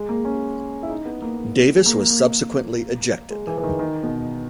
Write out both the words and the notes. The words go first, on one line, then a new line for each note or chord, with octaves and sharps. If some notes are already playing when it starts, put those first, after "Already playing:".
Davis was subsequently ejected.
Already playing: G#3
A#3
C#4
E4
D#4
B3
A#3
A#3
G#3
A#3
A#3
G#3
E3
E3
D#3
D#3
B2